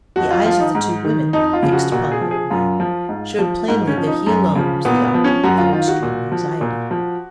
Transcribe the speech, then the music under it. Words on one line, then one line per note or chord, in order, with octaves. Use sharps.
The eyes of the two women, fixed upon the old man, showed plainly that he alone was the object of their extreme anxiety.
F2 F#4
F4
F3 F4
D#4
G#2
D#3
F2 D#4
F4
C#3 F3
F#4
A#2 F#4
G#4
F3
G#4
F#2 F4
F3
G#2
F3
G#2
C#4
F3
D#4
F#2
C#3 F3
A#2 B3
B3
F3
C#4
F#2 F#4
F4
D#3 F4
F#4
A#2
F3
A#2
F3